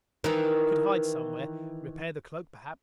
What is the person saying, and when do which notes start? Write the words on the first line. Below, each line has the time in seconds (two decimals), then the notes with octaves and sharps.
I could hide somewhere, repair the cloak perhaps.
0.24 D#3 E3